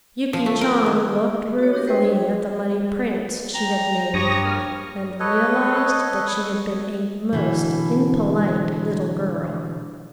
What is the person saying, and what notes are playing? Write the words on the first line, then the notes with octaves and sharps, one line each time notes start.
Yuki Chan looked ruefully at the muddy prints she had made and realized that she had been a most impolite little girl.
F3
A3
A#4
D#3
F#4 C#5
D4 G4 A#4
B4 C5 D#5 G5
G3 G#4
G5 A#5
G2 G4 C#5 D#6 A#6
A#3 C#5 F6
A4 B4 C#5 D#5
B2 D3 E3